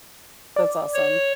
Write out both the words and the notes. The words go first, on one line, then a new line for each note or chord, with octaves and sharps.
That's awesome.
D5
C#5